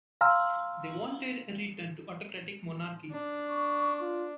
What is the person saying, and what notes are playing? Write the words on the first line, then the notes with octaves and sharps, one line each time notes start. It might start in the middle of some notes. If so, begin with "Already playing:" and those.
They wanted a return to autocratic monarchy.
F5 G#5 A#5 C6 E6 F6
D4
C#6
F4